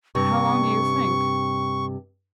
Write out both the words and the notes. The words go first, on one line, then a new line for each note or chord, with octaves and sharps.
'How long do you think?'
G2 C3 C#6